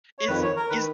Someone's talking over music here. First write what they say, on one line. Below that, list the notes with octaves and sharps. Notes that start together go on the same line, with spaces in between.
Is is
C#5
F2 D#3 B4
C#5
A#4
D#3 B4